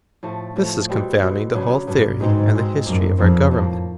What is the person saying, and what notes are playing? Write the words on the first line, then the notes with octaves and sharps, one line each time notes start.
This is confounding the whole theory and the history of our Government.
A2 F3 A3
A2 F3 A3
B2 G3 C4
B2 G3 C4
C#3 F#3 B3 D4
G2 C#3 F#3 B3 D4
G#2 B2 G#3 C4 D#4
B2 G#3 C4 D#4
F#2 A#2 F3 A#3
F2 A#2 F3 A#3
A2 F3 A#3